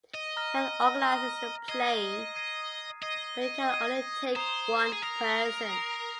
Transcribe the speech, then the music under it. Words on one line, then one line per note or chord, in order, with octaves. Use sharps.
Cad organises the plane, but it can only take one person.
D#5
A#5 F6 A#6
A#5 F6 A#6
D#5 D#6 G#6 C7 D#7
D#6 G#6 C7 D#7
D#5 D#6 G#6 C7 D#7
D#6 G#6 C7 D#7
C5 A#5 D#6 C7 F7
G#4
A#4 A#5 D#6 C7 F7
A#5 D#6 C7 F7